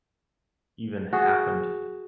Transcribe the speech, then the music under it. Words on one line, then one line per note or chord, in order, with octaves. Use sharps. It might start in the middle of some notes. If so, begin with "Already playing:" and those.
even happened.
F#4 G#4